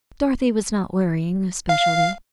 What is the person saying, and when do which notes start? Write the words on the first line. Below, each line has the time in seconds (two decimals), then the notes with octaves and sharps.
Dorothy was not worrying, especially.
1.69 F5